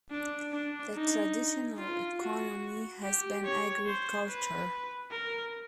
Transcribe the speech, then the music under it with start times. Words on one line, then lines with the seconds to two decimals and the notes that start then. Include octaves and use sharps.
The traditional economy has been agriculture.
0.11 D4
0.53 D4
0.94 D#4
1.78 F4
2.20 F#4
3.03 G4
3.45 C#5
3.86 C5
4.28 B4
5.11 A#4